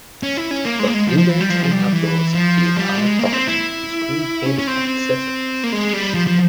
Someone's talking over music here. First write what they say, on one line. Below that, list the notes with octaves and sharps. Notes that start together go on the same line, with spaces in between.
Both indoors and outdoors, the entire property is fully handicap accessible.
C#4
E4
C#4
A#3
G#3
A#3
G#3
F3
F3
E3
G3
F3
F3
G3
E3
F3
G3
G#3
A#3
C4
E4
C#4
C#4
C4
A#3
G#3
G3
F3
F3